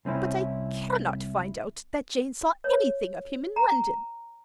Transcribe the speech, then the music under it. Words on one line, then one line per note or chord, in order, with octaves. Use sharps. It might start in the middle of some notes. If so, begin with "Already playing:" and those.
But I cannot find out that Jane saw anything of him in London.
C2 C4 C#4 E4
C#5
A#5